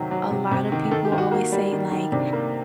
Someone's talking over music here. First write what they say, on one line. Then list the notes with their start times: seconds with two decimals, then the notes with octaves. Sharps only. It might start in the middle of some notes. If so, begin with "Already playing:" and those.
a lotta people always say, like
Already playing: C3 D#3 F#3
0.11 F#3
0.31 C3
0.51 C3
0.72 D#3
0.91 D#3 A4
1.05 G4
1.12 D#3
1.18 F#4
1.31 A#3 F#4
1.52 G3
1.73 D#3
1.92 D#3
2.12 C3 D4
2.33 A#3